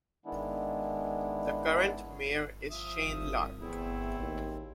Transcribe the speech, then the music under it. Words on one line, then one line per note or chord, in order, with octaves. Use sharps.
The current mayor is Shane Larck.
D#3 G#3 B3 D4 E4
F3 E5 D#6
G1 C2
E2 A3 C4 E4
A1 D#2